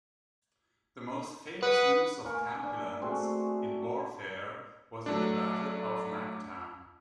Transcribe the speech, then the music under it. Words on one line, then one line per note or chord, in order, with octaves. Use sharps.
The most famous use of kampilans in warfare was in the Battle of Mactan.
B4 F#5 D#6
A#3 A#4 G#5 C#6
D4
A3 C4 F#4 G#4
F#3 A3 D4